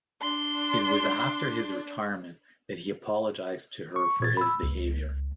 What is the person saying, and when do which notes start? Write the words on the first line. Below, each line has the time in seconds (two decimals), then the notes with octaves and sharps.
It was after his retirement that he apologized to her for his behavior.
0.22 D4 C6
3.96 C#6
4.20 A#2 G#6 A6
4.37 B5 E6
4.63 C#2